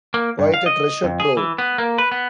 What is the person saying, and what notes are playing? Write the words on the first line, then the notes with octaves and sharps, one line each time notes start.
Quite a treasure-trove.
A#3
G2
F5
D#5
F2
G#4
E3
B3
A#3
B4
B3